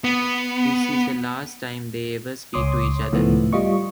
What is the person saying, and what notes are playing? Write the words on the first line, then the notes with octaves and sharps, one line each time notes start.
This is the last time they ever speak to each other.
B3
C#2 C#5 C6 D6 D#6
C#2 A2 D#3 F3 A3 B3
G3 F4 D#5 C#6